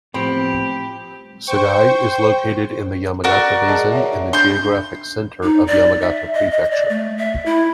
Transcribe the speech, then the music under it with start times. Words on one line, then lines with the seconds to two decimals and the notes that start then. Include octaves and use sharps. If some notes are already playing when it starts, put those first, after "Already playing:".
Sagae is located in the Yamagata Basin in the geographic center of Yamagata Prefecture.
0.14 A2 F3 B3 C4 G4 B5 D7
1.47 C5 G5 C#6
3.24 F#4 A#4 D5
3.67 G#4 D#5 A5
3.92 C#5 E5
4.33 D4 C6 G6
5.43 D#4
5.67 D5
6.01 E5
6.34 D#5
6.51 D#5
6.71 D5
6.90 A3
7.18 E5
7.46 E4